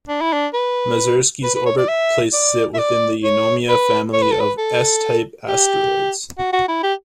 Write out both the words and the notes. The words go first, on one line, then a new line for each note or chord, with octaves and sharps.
Masursky's orbit places it within the Eunomia family of S-type asteroids.
D4
E4
D4
B4
B4
B4
C#5
D5
E5
D5
E5
D5
C#5
B4
C#5
B4
A4
B4
A4
G4
F#4
F#4
E4
G4